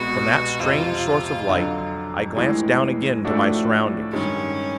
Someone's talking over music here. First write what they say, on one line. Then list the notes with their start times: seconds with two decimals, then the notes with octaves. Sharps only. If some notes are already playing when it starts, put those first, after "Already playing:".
From that strange source of light, I glanced down again to my surroundings.
Already playing: C2 B2 G#3 B3 F#4
0.59 F2 C3 F3 F4
1.47 F2 D3 F#3
2.36 A2 E3 G#3
3.25 A2 F3 A3 D4 F#4
4.12 G2 D#3 G#3 C#4